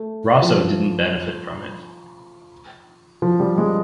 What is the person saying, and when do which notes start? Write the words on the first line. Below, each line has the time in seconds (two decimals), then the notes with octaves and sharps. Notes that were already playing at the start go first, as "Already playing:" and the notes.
Rosso didn’t benefit from it.
Already playing: A3
0.42 F3
3.22 F3
3.40 G3
3.58 G#3